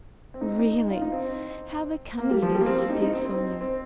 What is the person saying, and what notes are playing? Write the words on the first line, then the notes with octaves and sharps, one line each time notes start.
Really, how becoming it is to dear Sonya.
C4
D#4
D#4
F4
D#4
C4
A#3
G3
F3
G3
A#3
C4
D#4
D#4
C4
C4
C4